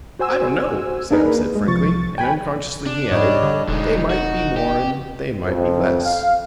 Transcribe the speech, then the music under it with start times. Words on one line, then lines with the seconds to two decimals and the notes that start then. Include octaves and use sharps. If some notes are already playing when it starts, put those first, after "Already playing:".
"I don't know," Sam said frankly, and, unconsciously, he added, "They might be more and they might be less."
0.19 F#4 C5 G#5 E6
1.11 A#3 D4 D#4 G#4 A#4 B4
1.55 G#3
1.67 C2 F3 C#6 A6
2.18 G5 G#5 B5
2.86 D4
3.11 G#2 G3 C#5 D#5
3.42 D3
3.68 E1 D3 G#3 D#4
4.10 F#4
4.57 G4
5.42 F2
6.04 F5